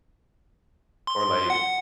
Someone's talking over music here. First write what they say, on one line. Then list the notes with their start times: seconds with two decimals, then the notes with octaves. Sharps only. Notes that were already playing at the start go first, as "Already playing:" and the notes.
or, like,
1.07 C6
1.50 F#5